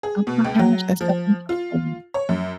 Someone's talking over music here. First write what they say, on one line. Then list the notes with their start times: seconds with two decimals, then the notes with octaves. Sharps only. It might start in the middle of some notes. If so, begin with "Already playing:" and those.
Oh my gosh, that's so interesting.
0.03 G#4
0.27 B2
0.45 C#2
0.59 F#3
1.01 F3
1.49 F4
2.14 C#5
2.29 F#2